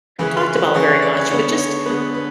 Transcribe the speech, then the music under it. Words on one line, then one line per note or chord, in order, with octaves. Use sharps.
talked about very much, but just
C#3 E3 G#3 C#4 B4
B4
B4
C#3 E3 G#3 C#4 C#5
B4
D5
C#5
D3 G#3 B3 C#5
C#5
D3 G#3 B3 B4
B4